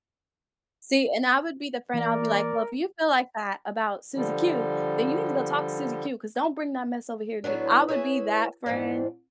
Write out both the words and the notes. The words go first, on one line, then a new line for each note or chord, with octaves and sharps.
See, and I would be the friend, I'll be like, "Well, if you feel like that about Susie Q, then you need to go talk to Susie Q, 'cause don't bring that mess over here to me." I would be that friend,
E3 A#3 A#4 D5
D3 F3 G3
A2 F#3 B3 D4
E4 G#4 A4 B4 C#5 E5
F2 G#2 E3 C4 D4